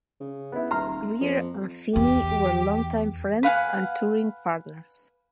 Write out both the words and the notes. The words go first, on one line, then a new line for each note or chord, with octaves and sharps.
Greer and Feeney were longtime friends and touring partners.
C#3
B3 E4
D#1 A#5 C6 F6
F2
E2 G4
B4 F5 F#5 G#5